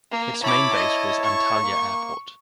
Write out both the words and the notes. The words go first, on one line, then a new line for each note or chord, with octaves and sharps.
Its main base was Antalya Airport.
A#3
E4 C#5 A5 B5 D6
D#5
C#6
A#3